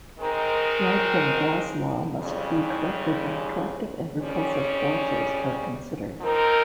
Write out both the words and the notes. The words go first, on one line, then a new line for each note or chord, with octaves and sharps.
The ideal gas law must be corrected when attractive and repulsive forces are considered.
D#3 G#3 C4 D#4 A#4
F2 C#3 G3
F2 C#3 G3 C#4
F3 C4 D#4 A#4